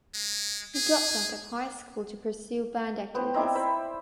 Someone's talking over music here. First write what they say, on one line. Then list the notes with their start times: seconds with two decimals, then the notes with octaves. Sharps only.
He dropped out of high school to pursue band activities.
0.14 G#3
0.75 G#4
3.14 B3 C5 G5
3.34 C4 D#4 E4 D5
3.55 C5 E5 B5